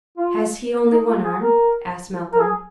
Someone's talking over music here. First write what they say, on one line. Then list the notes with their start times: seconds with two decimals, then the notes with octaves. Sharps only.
"Has he only one arm?" asked Malcolm.
0.18 F4
0.92 D#4
1.09 F4
1.24 G#4
1.42 A#4
2.33 A#4
2.40 G#4